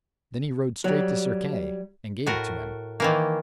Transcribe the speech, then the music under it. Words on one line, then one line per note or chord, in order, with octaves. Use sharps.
Then he rode straight to Sir Kay, and gave it to him.
F#3 G3
A2 F#4 A#4
D#3 E3 A#3